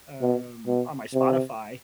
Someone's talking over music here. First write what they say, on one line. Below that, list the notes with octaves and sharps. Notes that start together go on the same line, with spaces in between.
um, on my Spotify,
B2
B2
C3